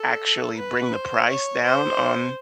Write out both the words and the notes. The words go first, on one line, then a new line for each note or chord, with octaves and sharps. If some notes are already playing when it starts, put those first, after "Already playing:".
actually bring the price down on
Already playing: A4
B4
C5
C#5
C5